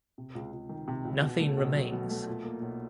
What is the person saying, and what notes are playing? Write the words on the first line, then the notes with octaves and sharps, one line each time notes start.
Nothing remains.
C3
C#2
C#2
D#3
C3
C#2
B2
A3
B1
F#3
B2
A3
A#2
A#3
B1